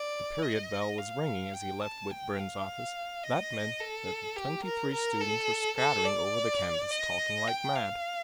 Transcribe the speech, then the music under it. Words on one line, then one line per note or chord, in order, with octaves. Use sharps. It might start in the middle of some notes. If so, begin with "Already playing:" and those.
The period-bell was ringing as he left Whitburn's office; that meant that the twenty-three students were scattering over the campus, talking like mad.
Already playing: D5
D#5
F5
G5
A5
G5
F5
D#5
A4
G4
A#4
A#4
A4
A4
D5
D#5
G5
F5